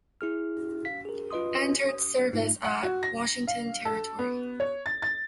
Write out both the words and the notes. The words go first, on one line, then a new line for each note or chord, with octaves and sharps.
Entered service at: Washington Territory.
E4 G#4 F6
F5 B6
G#4 A#4
F4 B4 D#5 C6 D#6
D#6
G#2 A3 D#4 F4
F#5
F#4
A#6
F5
A4
B3
C#5
A6
A6